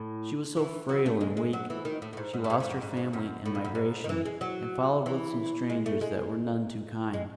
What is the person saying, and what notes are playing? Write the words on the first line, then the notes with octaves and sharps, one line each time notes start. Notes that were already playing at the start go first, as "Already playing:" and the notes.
She was so frail and weak she lost her family in migration, and followed with some strangers that were none too kind.
Already playing: A2
E3
F#3
A3
G#3
G#3
F#3
E3
D#3
A2
A2
G#2
G#2
A2
G#2
G#2
F#2
G#2
G#2
F#2
A2
G#2
F#2
G#2
D#3
E3
G#3
F#3
E3
G#3
A3
G#3
G#3